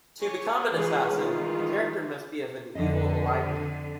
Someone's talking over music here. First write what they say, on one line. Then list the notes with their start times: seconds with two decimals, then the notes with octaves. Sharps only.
To become an assassin, the character must be of an evil alignment.
0.21 G4 C#5 G#5
0.72 E3 F3 G#3 G#4 B4 C#5
1.14 D#3 E3 G#3 F4
2.75 F2 D3 D#5